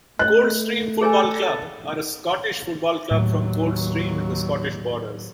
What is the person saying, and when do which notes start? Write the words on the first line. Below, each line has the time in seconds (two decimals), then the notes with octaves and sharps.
Coldstream Football Club are a Scottish football club from Coldstream in the Scottish Borders.
0.19 A3 C#5 D#5 F#6
1.01 G#4 A4 C#5 G#5
3.11 D#2 A2 F#3